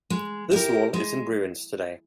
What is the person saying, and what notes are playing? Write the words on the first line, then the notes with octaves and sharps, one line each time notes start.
This wall is in ruins today.
G#3
E4 G4 A#4
G#3